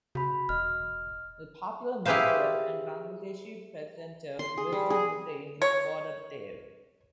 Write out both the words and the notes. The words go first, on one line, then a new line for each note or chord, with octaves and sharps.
The popular Muslim and Bangladeshi presenter Rizwan Hussain was brought up there.
C#3 F#4 B5
E1 D#5 F6
E4 G4 G#4 B4 C5 F5
C6
G#4
G3
G#4
C#5